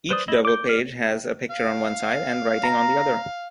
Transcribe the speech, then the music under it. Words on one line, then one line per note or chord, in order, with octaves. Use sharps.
Each double page has a picture on one side, and writing on the other.
B4 C5 D5 D#6
E4 D#5
D6 G6
G4 D5 F6
F5
A#5